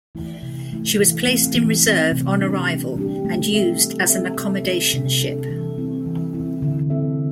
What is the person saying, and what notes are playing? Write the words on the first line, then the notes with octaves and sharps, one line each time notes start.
She was placed in reserve on arrival and used as an accommodation ship.
E3 A3 E4
C3
E3 A3 E4
E3
A3 C4
E3
A3 C4
C3
G3 D4 G4
C3
G3 D4 G4
A3
C4 A4 E5
A3
C4 A4 E5
C3
G3 D4 A4
C3
G3 D4 A4
E3
C4 E4
E3
C4 E4
D3
C4 A4 E5